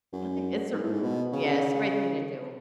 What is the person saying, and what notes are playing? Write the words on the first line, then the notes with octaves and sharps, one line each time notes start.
I think it's a r m Yeah, it's the right thing to do.
F#2
G#2
A2
G#2
B2
C#3